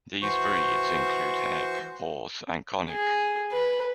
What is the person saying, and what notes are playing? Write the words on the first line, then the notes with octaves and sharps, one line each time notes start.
These breeds include the Heck horse and Konik.
E3 F#4 C5 C#6
G#4
B4